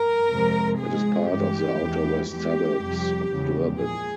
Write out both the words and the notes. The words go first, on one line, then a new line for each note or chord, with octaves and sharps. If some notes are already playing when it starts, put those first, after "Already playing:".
It is part of the outer West suburbs of Durban.
Already playing: A#4
F2 C3 F3 G#3
G#2 F3 G#3 G#4
G2 E3 G#3 G4
E2 E3 G#3
E2 E3 G#3 G4
F2 C3 G3
E2 C#3 F3 G#3
A#2 G#3 G#4